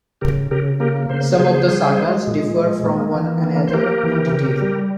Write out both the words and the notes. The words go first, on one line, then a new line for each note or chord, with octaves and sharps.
Some of the sagas differ from one another in detail.
C#3 G4 A#4
C#3 G4 A#4
A#3 G4 A#4
C#3 C5
G#4 C5
C#3
G3
G#3
A#2
G#3
A#3
E3
A#3
C5
A#3 G4 A#4
E3
C#3
G3